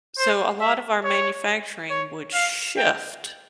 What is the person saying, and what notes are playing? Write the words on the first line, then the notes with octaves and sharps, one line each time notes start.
so, a lot of our manufacturing would shift.
C5
E5
C#5
C#5
F5
G5